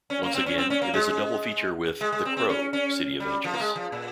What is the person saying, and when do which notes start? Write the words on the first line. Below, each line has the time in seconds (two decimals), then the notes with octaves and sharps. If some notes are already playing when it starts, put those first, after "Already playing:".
Once again, it is a double feature with "The Crow: City of Angels".
0.10 C#4
0.23 A#3
0.34 C4
0.46 C#4
0.58 C4
0.70 C#4
0.82 A#3
0.94 G#3
2.01 G#3
2.12 G#3
2.25 C4
2.37 C4
2.49 C#4
2.73 C#4
3.20 G3
3.44 F3
3.53 A#3
3.60 G#3
3.76 F3
3.92 A#2